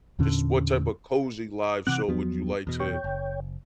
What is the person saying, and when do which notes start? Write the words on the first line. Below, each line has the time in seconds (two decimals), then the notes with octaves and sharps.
just what type of cozy live show would you like to
0.19 E2 A#2 D3 C#4
1.87 C3 E3 C4 F#5 D6 F#6
2.08 E2 F3 F#3 B3
2.67 E2 B2
2.80 C#5 G5
3.04 F#1